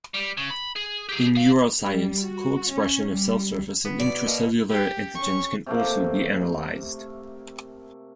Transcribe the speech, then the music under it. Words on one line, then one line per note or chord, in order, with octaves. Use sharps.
In neuroscience, co-expression of cell surface and intracellular antigens can also be analyzed.
G3
C#3
B5
G#4
G4 G#4
G#4 F5
G3
F#4
C#4
G3
B3
B2 D5
B2 A#3
G4
C#4 C#6
C3 A3 A#3